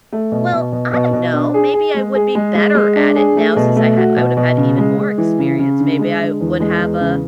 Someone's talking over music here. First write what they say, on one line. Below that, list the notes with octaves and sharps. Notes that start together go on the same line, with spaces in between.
Well, I don't know, maybe I would be better at it now since I ha I would've had even more experience, maybe I would have a
A3
B2
B2
B2
B2
B2
D4
G#4
G#4
G#3
G#4
G#3
G#3
G#3
D4
G#4
A3
B2
A3
F#4
B2
B2
C#3
G#3
G#3
E3
C#3
C#3
D3
G#3
D3
E2
G#3
E2
C#3